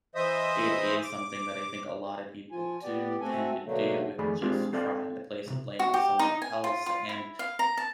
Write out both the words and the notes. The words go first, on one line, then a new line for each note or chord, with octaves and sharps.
it is something that I think a lot of people do tend to do with just trying to place the blame on someone else, and,
E3 C5 D#5 E5 D#6
D6
F3 F4 G#5
B3 G4 D5
A3 C4 F#4 A4 G#5
B2 D3 F#3 A3 A#3
F2 D#3 A3 G#4 D5 B5
G#3 C4 D4 F4 G4
C4 A4 D5 F5 G5
B1 C3
F#4
G4
D#4
G#5
F4
F4
E4
F5
A#5
A5